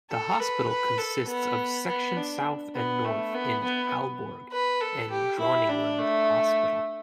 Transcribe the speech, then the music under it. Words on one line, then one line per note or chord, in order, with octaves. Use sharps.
The hospital consists of Section South and North in Aalborg and Dronninglund Hospital.
A4
B4
B4
A4
B3
B3
D4
B3
A3
B3
B3
B4
A4
G4
E4
D4
A3